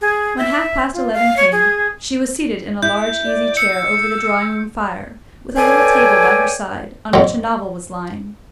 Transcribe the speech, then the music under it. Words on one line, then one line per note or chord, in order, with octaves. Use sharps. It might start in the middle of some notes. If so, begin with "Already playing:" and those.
When half-past eleven came, she was seated in a large easy chair over the drawing-room fire, with a little table by her side, on which a novel was lying.
G#4
E5
F4
F5
C#5
G#4
E4 G6
D5
E6 C#7
A4 B4 C#5 D5 G5 G#5
F2 F#3